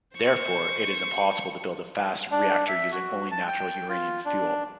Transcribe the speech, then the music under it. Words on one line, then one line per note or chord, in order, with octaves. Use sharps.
Therefore it is impossible to build a fast reactor using only natural uranium fuel.
C5 C#6
D4
E5
F#4
A5
G5
F4
D4